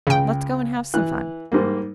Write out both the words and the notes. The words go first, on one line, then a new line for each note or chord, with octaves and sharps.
Let's go and have some fun.
C#2 C#3 G5
E3 F#6
G#2 G3 A#3